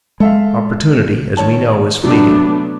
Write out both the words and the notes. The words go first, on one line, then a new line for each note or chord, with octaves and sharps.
Opportunity, as we know, is fleeting.
G#3 A4 E5 F5
D#3 C#5 A5
C3 F#3 A3 B3 D4